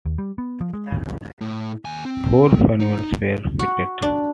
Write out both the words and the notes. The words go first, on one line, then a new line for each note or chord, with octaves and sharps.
Four funnels were fitted.
D#2
G3
B3
F3
G#3
A2
D#2 G#5
C4
D#4
F#4
D4